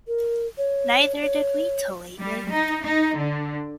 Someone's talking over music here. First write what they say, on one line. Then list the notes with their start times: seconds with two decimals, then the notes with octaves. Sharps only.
Neither did we till lately.
0.08 A#4
0.58 C#5
1.22 C#5
2.20 G3
2.51 D#4
2.84 D#4
3.17 D3